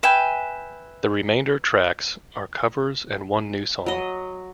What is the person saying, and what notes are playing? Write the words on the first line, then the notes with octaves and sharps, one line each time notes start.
The remainder tracks are covers and one new song.
B4 E5 G5 G#5
F#3 D#5